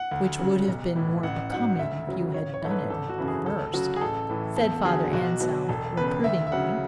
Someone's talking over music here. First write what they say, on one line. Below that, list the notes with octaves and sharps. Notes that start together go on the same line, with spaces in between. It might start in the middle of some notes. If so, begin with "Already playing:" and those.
"Which would have been more becoming if you had done it at the first," said Father Anselm, reprovingly.
Already playing: F#5
D2
C#3 F#3
B1
A2 E3
A1 F#5
G#2 F#3 F#5
D2 E5
C#3 F#3
A1 C#5
C#5
G#2 E3 A4
B4
G#1 A4
F#4
F#2 C#3 E3 A4
G#4
D2 A4
C#3 F#3 F#4
G#4
A1 A4
A2 E3
E2 A4
D3 F#3 G#4
B1 F#4
B2 F#3
E1 A4
E2 C#3 B4
D2 E5
E5
C#3 F#3 F#5